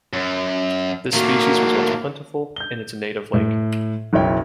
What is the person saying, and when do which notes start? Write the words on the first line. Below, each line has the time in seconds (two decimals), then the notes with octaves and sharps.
This species was once plentiful in its native lake.
0.13 F#2
1.13 A2 D#3 A#3 F#4
2.56 G6 G7
3.34 A2
4.13 F#1 B1 E4 C#5 G5